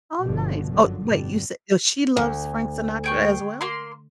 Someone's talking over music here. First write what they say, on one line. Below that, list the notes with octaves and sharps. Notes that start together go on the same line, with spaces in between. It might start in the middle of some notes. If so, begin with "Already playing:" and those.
Oh, nice oh, wait, you said so, she loves Frank Sinatra, as well?
G1 B2 D3 F3
G1 F#2 D3 F3 F#3
G1 F2 B2 D3 G3
D2
G#4 G5 C#6
A#3 C6